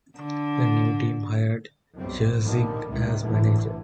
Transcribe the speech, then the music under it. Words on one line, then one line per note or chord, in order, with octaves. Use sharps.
The new team hired Sharsig as manager.
D3
B1 F#2 G3 C4
A#2 D3 D#3 F3 G3
C#2 A2 C3 D#3
G1 F#2 A2 D3 E3